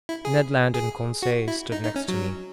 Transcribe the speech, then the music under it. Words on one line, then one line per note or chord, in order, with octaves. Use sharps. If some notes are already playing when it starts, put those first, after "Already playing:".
Ned Land and Conseil stood next to me.
E4
G#4
G#4
F#4
E4
D#4
D#4
C#4
F#3